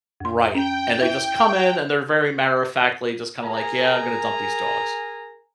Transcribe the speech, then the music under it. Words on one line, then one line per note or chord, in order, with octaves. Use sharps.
Right, and they just come in and they're very matter of factly just kinda, like, "Yeah, I'm gonna dump these dogs."
F2 C6
C#4 G5
E4 E5 G5
G#4 A#4 G#5 A#5